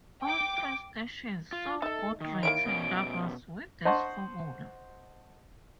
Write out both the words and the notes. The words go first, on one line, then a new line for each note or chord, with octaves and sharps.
All three stations saw good rating numbers with this formula.
G5 D6
F4
D#4 A4 E5
D#3
A#3 E4 C#5 D7
B2 C#4
C5 D#5 F#5 A5 C6 C#6